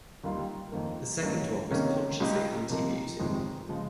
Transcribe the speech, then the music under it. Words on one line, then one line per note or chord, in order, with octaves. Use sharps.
The second one was consciously anti-beauty.
D#2 D#3 G3 A#3 F4
F2 D#3 A#3
G2 D#3 A#3 C#4
C3 D#3 A#3 C#4
C#2 C#3 G#3 D#4 G4
C3 F3 A#3 D#4 A#4
G1 F2 C3 D#3 G#3
C#3 F3 G#3